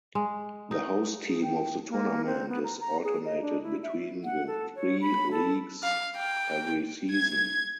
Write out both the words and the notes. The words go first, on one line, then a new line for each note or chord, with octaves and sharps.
The host team of the tournament is alternated between the three leagues every season.
G#3
D#4
G#4
G5
A#3
C4
B3
A#5
A#5
G#4
D#5
D4
E4
E5
F#5
A4
C#5
B5
A4
F5
G5
G#6